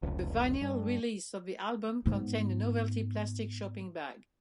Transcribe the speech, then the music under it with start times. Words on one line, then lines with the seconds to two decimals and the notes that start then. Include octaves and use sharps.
The vinyl release of the album contained a novelty plastic shopping bag.
0.03 F1 C#2
0.62 G2
2.06 G#2 B3